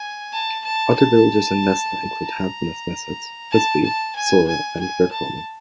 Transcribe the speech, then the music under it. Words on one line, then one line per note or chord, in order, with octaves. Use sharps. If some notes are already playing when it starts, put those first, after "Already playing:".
Other villages in Nesna include Handnesneset, Husby, Saura, and Vikholmen.
Already playing: G#5
A5
A5
A5
A#5
A5
A5
G#5
G#5
G#5
A5